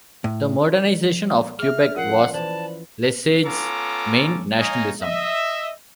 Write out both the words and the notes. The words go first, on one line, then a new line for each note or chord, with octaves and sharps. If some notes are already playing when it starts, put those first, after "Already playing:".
The modernization of Quebec was Lesage's main nationalism.
A2
G#4 E5 F6
F3 C#4 F4 A#4 F#5 C7
E3 B4 C5 D5 A5 F#7
B3 C#4 F4 A4 A#5 D6
D#4 C#5 D#5 F5 G#5 A#5
D#5 E5